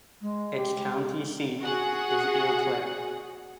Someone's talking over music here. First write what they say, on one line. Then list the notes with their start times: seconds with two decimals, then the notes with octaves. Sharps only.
Its county seat is Eau Claire.
0.22 G#3
0.56 G4
1.60 F#4 G#4 F#5